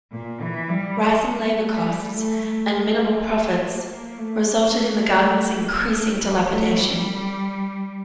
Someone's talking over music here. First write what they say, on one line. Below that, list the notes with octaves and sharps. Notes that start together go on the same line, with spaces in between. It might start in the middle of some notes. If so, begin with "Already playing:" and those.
Rising labour costs and minimal profits resulted in the gardens' increasing dilapidation.
A#2
E3
G3
A3
G3
A3
A3
A3
A#3
A#3
A3
A#3
A3
A#3
A3
G3
A3
G3